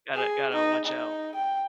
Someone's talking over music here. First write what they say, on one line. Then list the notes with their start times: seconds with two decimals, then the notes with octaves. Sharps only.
Gotta gotta watch out.
0.15 G#4
0.53 D#4
0.85 D#4
1.35 G5